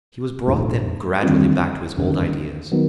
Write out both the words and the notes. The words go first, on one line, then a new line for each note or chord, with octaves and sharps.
He was brought then gradually back to his old ideas.
A#1 G#2 F3 A3
D#2 D3 G3 C4 F4
G1 F#2 D#3
D#3 F#3 B3